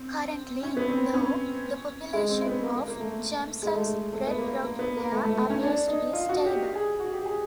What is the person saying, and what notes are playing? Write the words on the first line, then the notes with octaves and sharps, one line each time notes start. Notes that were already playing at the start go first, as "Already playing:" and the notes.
Currently, though, the population of Jameson's red rock hare appears to be stable.
Already playing: C4
C#4
B3
C4
C#4
G#3
C4
B3
A#3
A#3
A#3
A3
G#3
A3
G#3
A3
B3
A#3
A#3
B3
A#3
A3
A3
A3
C#4
D4
D#4
F4
F#4
G4
G#4
F#4
G4
G#4